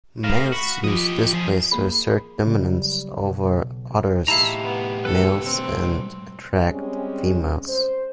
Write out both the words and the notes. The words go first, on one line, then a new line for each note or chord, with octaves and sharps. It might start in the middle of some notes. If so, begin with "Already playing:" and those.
Males use displays to assert dominance over others males and attract females.
A2 F5 A#5
F#4 B5
F3 G4 D#5
F3 G#4
A#3 G#4 B5
C#3 F#3 G3
B1
A2 D#4 E4 G4 F5 A5 A#5
B3
G#2 B2 A4 B4
C4
G3 G#3 C4 C#4
C5